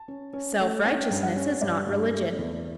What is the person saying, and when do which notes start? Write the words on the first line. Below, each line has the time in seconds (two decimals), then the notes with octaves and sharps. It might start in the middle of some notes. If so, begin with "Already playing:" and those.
Self-righteousness is not religion.
Already playing: A5
0.08 C#4
0.33 C#4
0.60 A3
0.85 C#4 G5
1.11 G2
1.23 F#5
1.36 C#4
1.62 G2 D5
1.88 G2
2.14 A3
2.39 E2